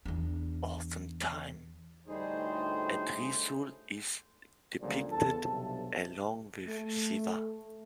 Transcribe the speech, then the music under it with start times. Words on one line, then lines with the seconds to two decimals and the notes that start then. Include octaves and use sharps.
Often time, a Trishul is depicted along with Shiva.
0.05 E2 D4
2.08 D2 A2 G3 D#4 G#4 C5
4.81 C#2 A#2 D3 F3 G3
5.11 E2 A4 A5
5.43 B1 G2 C3
6.66 A3